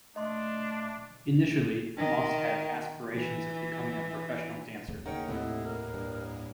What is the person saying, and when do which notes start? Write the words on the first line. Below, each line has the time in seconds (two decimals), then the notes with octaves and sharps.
Initially, Moss had aspirations of becoming a professional dancer.
0.16 A3 D4 D#5 C6
1.97 D#3
3.15 E3
4.88 E1 E2 A2
5.06 D#2 C#3 D#4 A#4 C#5 F#5 G5
5.28 D#2 A2 C3 A3 E4 D#5 F#5
5.65 A#4
5.94 G2